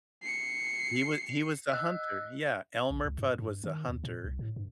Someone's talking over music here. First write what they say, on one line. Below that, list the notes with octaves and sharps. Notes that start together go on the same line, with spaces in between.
He wa he was the hunter, yeah, Elmer Fudd was the hunter,
C7 C#7
D#5 E6 F#6
A#1
C#2
G2
G2
D#3
D#2
A#2
C2
A2
G2